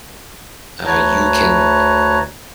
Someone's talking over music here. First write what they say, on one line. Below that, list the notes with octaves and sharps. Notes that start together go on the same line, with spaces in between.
uh, you can,
D2 B4 C#5 A5 A#5